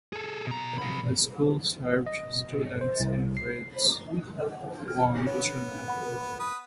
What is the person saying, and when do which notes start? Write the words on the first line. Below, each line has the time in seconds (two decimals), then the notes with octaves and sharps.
The school served students in grades one through nine.
0.13 G#4 A4
0.47 B2 A#5
0.78 C3 B5
2.06 D#5
2.81 C5
3.00 C2
3.37 C7
4.88 F6
5.26 B3 C#5
5.88 F#5 B5
6.39 B4 D#6